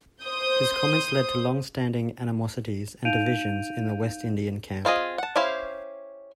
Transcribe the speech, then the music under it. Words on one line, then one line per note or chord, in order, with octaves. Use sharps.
His comments led to long-standing animosities and divisions in the West Indian camp.
C5 D#6 G6
D#4 F5 G6 D7 D#7 F7
C4 F4 G#4 D#5
F#5 A5
C#4 E4 G4 C5 F5